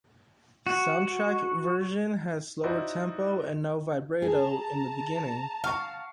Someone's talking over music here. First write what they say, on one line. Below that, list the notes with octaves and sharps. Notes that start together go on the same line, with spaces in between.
Soundtrack version has slower tempo and no vibrato in the beginning.
F#4
D#4 E4 F#4 C5 D5 D#5
G#4 A5 A#5
F5 F#5 C#6